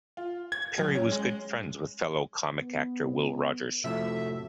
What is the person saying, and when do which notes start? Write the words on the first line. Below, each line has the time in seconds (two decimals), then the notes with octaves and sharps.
Perry was good friends with fellow comic actor Will Rogers.
0.17 F4
0.52 G#6
0.78 F#2
0.95 C#4
1.11 G#3
2.55 B3
3.84 F2 A2 C3 F3 F#4 A4 E5